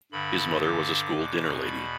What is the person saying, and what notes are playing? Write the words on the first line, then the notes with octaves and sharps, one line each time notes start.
His mother was a school dinner lady.
G2 D3 B5
D6
E2 B2
B5